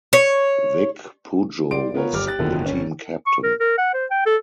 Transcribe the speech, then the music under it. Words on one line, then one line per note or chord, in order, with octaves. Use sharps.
Vic Pujo was the team captain.
C#5
G3 D5 C6 D7
B3 F4 A#4 C#5
G1 G3 D6 F6
G4 F#6 A6
F#1 E2 B2 D3 D#3 F3
G1 C#4
C#6
A#4
A#4
F#5
C5
G5
A4